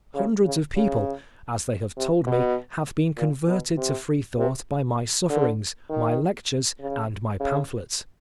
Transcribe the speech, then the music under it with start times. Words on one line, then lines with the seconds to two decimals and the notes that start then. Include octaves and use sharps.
Hundreds of people, as they have told me, have been converted to Freethought by my sufferings, my lectures, and my pamphlets.
0.15 C#3
0.45 C#3
0.76 C#3
1.97 C3
2.27 B2
3.17 A#2
3.48 B2
3.77 C3
4.38 C3
5.29 D3
5.89 D#3
6.81 C#3
7.40 C#3